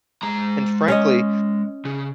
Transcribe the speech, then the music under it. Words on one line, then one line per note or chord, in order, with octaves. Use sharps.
and frankly,
G#3 A#5
C#4 C#5 D#5
C#3